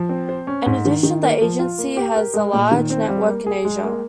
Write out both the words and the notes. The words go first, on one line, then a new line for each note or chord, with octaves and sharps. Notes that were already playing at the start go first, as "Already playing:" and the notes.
In addition, the agency has a large network in Asia.
Already playing: F3
C4
C5
C#4
G#2
D#3
D#3
A#3
F3
F4
A#3
G4
A#4
G#3
A#2
D#3
C4
G3
A#3
G#4
G#3
A#3